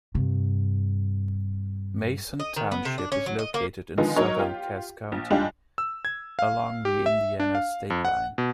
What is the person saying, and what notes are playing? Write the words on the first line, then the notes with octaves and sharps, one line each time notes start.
Mason Township is located in southern Cass County, along the Indiana state line.
G2 C3
D#5
D#3
B3
C3
D4
C#4
F#3
D#5
A#3
D3 D#3 F3 G#3 B3 D#4
F#3 D#4 A#4 C#5
F4 G4
A#1
G3 G#3 D4 D#4 F4 G4
E6
G#6
F5
G4
E5
D4
F5
F2
F#5
B2